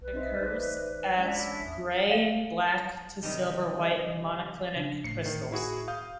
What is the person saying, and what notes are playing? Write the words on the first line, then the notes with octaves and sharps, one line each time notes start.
It occurs as grey, black, to silvery white monoclinic crystals.
B1 B4
C4 D#4 C5 D#5 E5
A1 D#4 C5 D5
G#3 C#4 D4 E4
E2 E5 D#6
F5
C3 D#3 G3 D#5
C#3 D4
G#1 A2 C7 C#7
D#3
E4 F#4 G#4
F5 D#6 G6